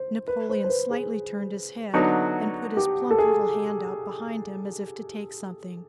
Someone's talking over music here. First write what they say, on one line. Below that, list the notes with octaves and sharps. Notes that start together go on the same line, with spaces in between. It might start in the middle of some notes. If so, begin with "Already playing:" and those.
Napoleon slightly turned his head, and put his plump little hand out behind him as if to take something.
Already playing: C5
B4
C5
C5
B4
G#4
D3 F#3 B3 D#4 F#4
G4
A4
G#4